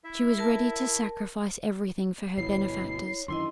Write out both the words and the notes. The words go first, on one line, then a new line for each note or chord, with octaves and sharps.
She was ready to sacrifice everything for her benefactors.
E4 E5
A#4 A5
G1 B2 E4 C#5 C7
F#2 D#3 E3 D4 E4 D#5 C6